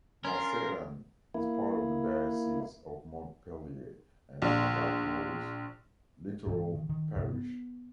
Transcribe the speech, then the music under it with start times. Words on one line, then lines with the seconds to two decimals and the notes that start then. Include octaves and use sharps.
Marseillan is part of the diocese of Montpellier and Agathois littoral parish.
0.25 C#4 D4 F4 A#4 C6
1.34 A#3 E4
4.42 A#1
6.46 G2 E3 G#3
6.75 D#3
6.89 D#3
7.16 G2 C3
7.33 B3